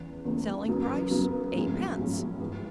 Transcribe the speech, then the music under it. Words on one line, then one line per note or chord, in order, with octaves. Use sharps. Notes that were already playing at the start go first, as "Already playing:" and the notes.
Selling price, eightpence.
Already playing: E2 C#3 E3
E2 C#3 E3 A3
F#2 C#3 F#3 B3
F#2 C#3 F#3 B3
B1 A2 F3 G#3 C#4
B1 A2 F3 G#3 C#4
A2 E3 G#3